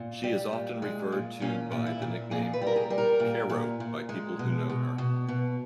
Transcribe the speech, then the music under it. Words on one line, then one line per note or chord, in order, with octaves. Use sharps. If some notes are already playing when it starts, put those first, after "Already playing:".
She is often referred to by the nickname 'Carro' by people who know her.
Already playing: A#2
G3
A#2
G#3
A#2
A#2 C#4
A#2
E4
A#2
A#2 G#4
B4
G3
A#4
G#4
G3
A#4
A#2
A#2
A#2
G#3
B2
B2
B2
B2